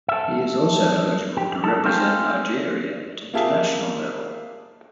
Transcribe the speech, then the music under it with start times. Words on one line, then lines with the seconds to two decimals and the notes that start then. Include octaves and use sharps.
He is also eligible to represent Nigeria at international level.
0.08 A4 E5
1.37 G4
1.64 A4
1.84 A3 C4 D#4 F4 G4 G#4
3.34 A#3 F4 G4 G#4 E5 A5